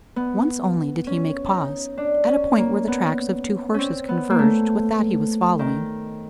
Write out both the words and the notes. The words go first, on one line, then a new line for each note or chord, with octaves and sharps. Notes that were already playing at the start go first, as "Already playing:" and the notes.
Once only did he make pause; at a point where the tracks of two horses converged with that he was following.
B3
C#4
D#4
D4
C#4
A#3
B3
C4 C#4
B3
A#3
A3
D#3